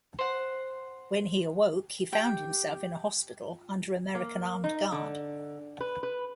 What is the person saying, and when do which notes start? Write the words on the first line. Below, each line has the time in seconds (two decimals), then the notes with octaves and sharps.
When he awoke, he found himself in a hospital under American armed guard.
0.19 C5 F#5
2.13 G4 G5
4.15 A#3
4.64 D#4
4.92 D3
5.80 B4
6.03 B4